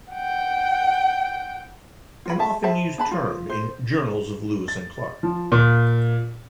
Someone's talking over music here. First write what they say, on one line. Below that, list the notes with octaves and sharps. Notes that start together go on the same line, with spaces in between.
An often used term in Journals of Lewis and Clark.
F#5 G5
F4 B5
E5 A5
C5 E5 A5 B5
D4 A5 B5
F4
C5
A6
F3
A#2